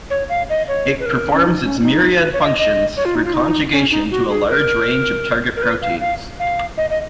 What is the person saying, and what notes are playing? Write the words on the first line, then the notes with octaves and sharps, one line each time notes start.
It performs its myriad functions through conjugation to a large range of target proteins.
C#5
F5
D#5
C#5
B4
A#4
C#4
D#4
C#4
D#4
B4
C#5
F5
D#5
D#5
C#5
F4
D#4
F4
D#4
C#4
D#4
F#4
G#4
A#4
A#4
B4
F5
F5
F5
D#5
D#5